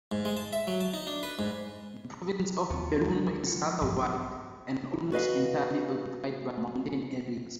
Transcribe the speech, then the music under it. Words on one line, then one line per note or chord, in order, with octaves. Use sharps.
The province of Belluno is rather wide, and almost entirely occupied by mountain areas.
G#2
G#3
A5
E5
F#3
A5
D#4
D4
B4
G#2
D#2 F3 F4 F#4
D3 F3 G#3 D4 A#4
F4 F#5
F3
A1 G2 F#3
F#4 B4 D#5 F5